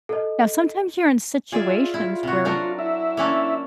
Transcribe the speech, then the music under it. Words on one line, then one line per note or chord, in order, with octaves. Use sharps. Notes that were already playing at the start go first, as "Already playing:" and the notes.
Now sometimes you're in situations where
A4 D#5
F4 G#4 D5 E5
E4
C3 F#4
F#3 D4 A#4
E4 E5
A#3 C#4 D4